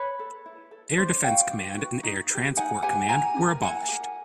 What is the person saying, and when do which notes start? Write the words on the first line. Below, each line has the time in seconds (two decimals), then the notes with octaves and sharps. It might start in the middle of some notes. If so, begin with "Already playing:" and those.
Air Defence Command and Air Transport Command were abolished.
Already playing: B4 C#5
0.19 A4
0.46 E4
0.71 A4
0.98 D4 C5 D5
1.24 F#4 B4 F5 G5
1.51 D4
1.77 F#4 B4
2.03 D#4
2.30 B4
2.34 G4
2.57 D#4 F#5 G#5
2.82 G4 B4 F#5 G#5
3.09 E4 G#5 A#5
3.36 G4
3.41 A#4
3.62 E4 F#5 G#5
3.88 G4
3.93 A#4